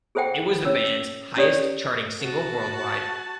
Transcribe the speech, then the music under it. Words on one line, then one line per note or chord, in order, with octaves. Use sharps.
It was the band's highest-charting single worldwide.
G#4 A4 C5 E5 F#5 G5
C#4 C#5 E6
C#4 G4 C#5 D5 D#6
F#4 A5